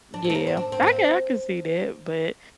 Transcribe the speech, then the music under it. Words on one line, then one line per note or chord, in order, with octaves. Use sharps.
Yeah. I can I can see that, but
D4
C4
A3
A#3
C4
D4
C4
A#3
C4